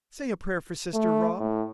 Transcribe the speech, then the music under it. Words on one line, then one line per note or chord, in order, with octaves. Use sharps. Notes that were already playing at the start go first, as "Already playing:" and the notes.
Say a prayer for sister, Rob.
A3
A2